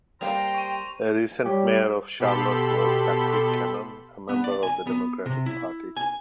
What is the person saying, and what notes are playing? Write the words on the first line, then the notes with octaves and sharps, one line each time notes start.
A recent mayor of Charlotte was Patrick Cannon, a member of the Democratic Party.
G3 A#3 C5 F5 G5 A#5 F7
C#6 D#7
G3 G4 C#5
B2 G4 A4 B5 C6
B3
D5
G#5
B3
C3
E4
G#5